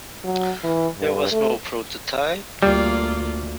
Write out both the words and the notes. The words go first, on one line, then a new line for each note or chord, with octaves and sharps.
There was no prototype.
F#3
E3
G2
A3
D2 G3 A#3 F4 D5